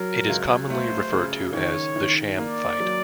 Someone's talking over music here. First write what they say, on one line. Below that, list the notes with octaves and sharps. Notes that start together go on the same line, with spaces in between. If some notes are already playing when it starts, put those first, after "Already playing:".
It is commonly referred to as "The Sham Fight".
Already playing: F#3 A#4
C#2
A3 C5
C#3
D#3 C#5
D#3
A#3 D5
F#3